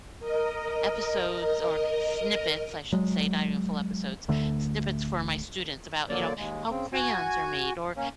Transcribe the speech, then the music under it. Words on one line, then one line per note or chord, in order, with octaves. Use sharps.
episodes or snippets, I should say- not even full episodes- snippets for my students about, you know, how crayons are made, or
A#4 D#5
F#3 G#3
D1 D2 D3 A3
D3 F#3 A#3 D5
D#2 G#3
C#3 C4
F#4 G#5
A#3 C#4